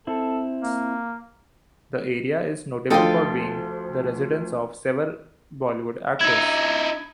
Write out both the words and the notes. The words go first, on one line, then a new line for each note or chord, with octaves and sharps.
The area is notable for being the residence of several Bollywood actors.
C4 E4 A4
A#3
D2 F3 F4 A4 D#5 G5 D#6
D#4 E4 G#6